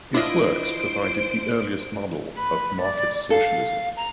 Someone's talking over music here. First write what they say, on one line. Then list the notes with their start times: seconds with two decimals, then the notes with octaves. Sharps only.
His works provided the earliest model of market socialism.
0.14 D4 E4 F4 C5 D#5 D7
2.37 B4
2.81 D5
3.30 A4 F5
3.96 A#5